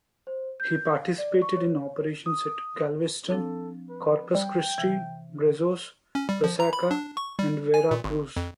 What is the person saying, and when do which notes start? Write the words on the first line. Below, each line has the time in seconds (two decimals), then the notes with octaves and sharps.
He participated in operations at Galveston, Corpus Christi, Brazos, Resaca, and Vera Cruz.
0.27 C5
0.60 G6
0.90 F5
1.18 D5
1.42 C#6
1.57 C#5
2.26 D#6
3.30 F3 C4 D4 A4
3.90 B4
4.35 G3 G5
4.78 C3 E3
6.15 C#4
6.29 G3
6.44 F3
6.60 A#5
6.73 B5
6.91 D4
7.17 C#6
7.39 G3
7.74 G#5
7.91 A#2
8.04 G#1
8.37 F2